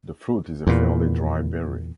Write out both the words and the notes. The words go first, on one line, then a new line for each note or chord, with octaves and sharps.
The fruit is a fairly dry berry.
E2 A#2